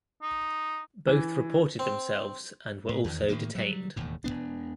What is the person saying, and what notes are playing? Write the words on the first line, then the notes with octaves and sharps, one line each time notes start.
Both reported themselves and were also detained.
D#4
E3
C4
A2
E2 D#3
A2 D#3 A#3
F#3 G3
E1 D#2 A2
E1 A#2 B3 D4